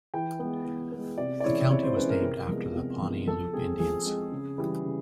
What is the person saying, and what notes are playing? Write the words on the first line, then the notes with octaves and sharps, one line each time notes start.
The county was named after the Pawnee Loup Indians.
E3 G5
G#3 B3
E3
G#3 B3
C3 D5
D5
E3 G#3 C#4 E4 C#5
C3 C#5
C5
E3 G#3 C#4 E4 B4
A#4
C3
F3 G#3 B3
C3
F3 G#3 B3
F3 A4
G#3 C4 G#4
F3 G#4
G#3 C4
C#3
E3 G3
C#3